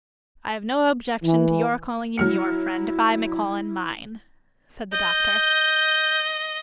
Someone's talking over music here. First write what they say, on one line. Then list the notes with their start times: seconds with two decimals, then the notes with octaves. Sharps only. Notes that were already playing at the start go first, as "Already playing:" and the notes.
'I have no objection to your calling in your friend if I may call in mine,' said the doctor.
1.23 E3
2.18 F#3 E4 F6 C#7
4.92 D#5 G6